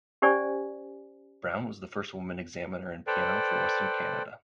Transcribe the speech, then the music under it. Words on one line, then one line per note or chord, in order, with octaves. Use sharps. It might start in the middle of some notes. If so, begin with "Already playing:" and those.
Brown was the first woman examiner in piano for Western Canada.
C#4 G4 C5 D5 G#5
A4 B4 C5 D5 G5